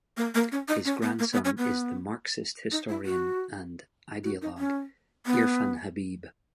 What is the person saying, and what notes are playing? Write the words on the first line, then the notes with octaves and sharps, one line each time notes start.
His grandson is the Marxist historian and ideologue Irfan Habib.
A#3
A#3
C#4
D#4
C#4
B3
A#3
B3
C#4
B3
D#4
E4
F#4
F#4
D#4
C#4
B3